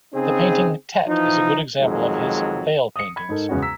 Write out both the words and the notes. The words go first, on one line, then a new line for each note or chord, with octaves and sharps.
The painting "Tet" is a good example of his "Veil Paintings".
C#3 C4 D#4 G#4
E3 F3 D#4
F2 D#3 F#3 G#3
D#6 C#7
B5 G#6
G#2 D#4 A4 A#4
E2 C#3 G#3 B3 C#4 F#4
A#5 E6 B6